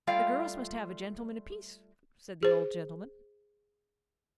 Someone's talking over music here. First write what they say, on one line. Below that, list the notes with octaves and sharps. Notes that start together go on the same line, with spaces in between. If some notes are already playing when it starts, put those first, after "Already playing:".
"The girls must have a gentleman apiece," said the old gentleman.
G3 A3 F4 D5 F5 G5
G#4 C5